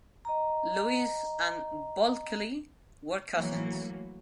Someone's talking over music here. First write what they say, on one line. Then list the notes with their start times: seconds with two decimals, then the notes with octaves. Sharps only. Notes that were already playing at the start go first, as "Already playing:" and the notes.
Lewis and Bulkeley were cousins.
0.25 D#5 A#5
3.36 E3 F#3 A3 A#3